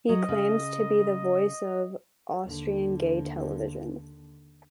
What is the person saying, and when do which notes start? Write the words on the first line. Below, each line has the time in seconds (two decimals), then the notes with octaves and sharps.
He claims to be the voice of "Austrian gay television".
0.09 F#3 D#5
0.29 C#3
2.44 D#2 D3